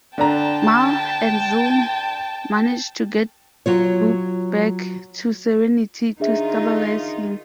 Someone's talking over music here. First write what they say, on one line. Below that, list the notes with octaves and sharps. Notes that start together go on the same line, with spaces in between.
Mal and Zoe manage to get Book back to "Serenity" to stabilize him.
D3 D4 G5 A5 A#5
F#3 F4 C#5
D#3 D4 D#4 F4 G#4 E5